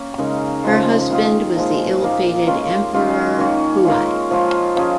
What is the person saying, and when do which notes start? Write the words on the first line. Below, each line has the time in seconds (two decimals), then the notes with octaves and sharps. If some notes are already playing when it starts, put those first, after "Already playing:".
Her husband was the ill-fated Emperor Huai.
Already playing: A#3 C#4
0.18 C#3 G#3 D#4 A#4
0.64 C#3 F3 G#3
1.10 D#3 A#3 F4 G#4
1.55 A#2 F3 G#3
2.02 A#2 A#3 D#4
2.47 G#3 C#4 F4
2.94 D#3 G#3 C#4 F4
3.38 D#3 A#3 C#4
3.85 G#3 F4 A#4
4.30 F3 G#3 F4
4.76 F3 C#4 F4 G#4